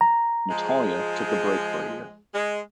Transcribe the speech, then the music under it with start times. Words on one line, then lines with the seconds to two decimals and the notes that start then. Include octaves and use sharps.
Natalia took a break for a year.
0.01 A#5
0.49 F3 G#3
2.34 G#3